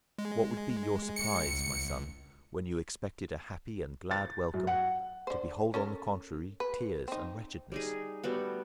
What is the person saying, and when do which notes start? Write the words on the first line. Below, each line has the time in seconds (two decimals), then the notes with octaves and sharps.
What would be your surprise, my son, when you expected a happy and glad welcome, to behold, on the contrary, tears and wretchedness?
0.18 G#3
1.16 C#7
1.46 C#2
4.11 A6
4.54 F#2
4.67 F#5
5.27 D3 C5
5.74 C#4 A4 A#4
6.60 B4
7.08 C4 D#4
7.72 G3 D#4 G#4
8.23 G3 A3 B3 F#4